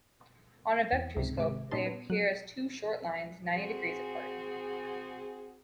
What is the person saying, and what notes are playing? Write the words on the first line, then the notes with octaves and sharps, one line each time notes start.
On a vectorscope, they appear as two short lines ninety degrees apart.
E2
C#2 G#2 C3
G#1 C3 G#3 D6
A#2 G3 C#4 D#4 A5 C6
B3
F#3 F#6
C4 F#4 G#4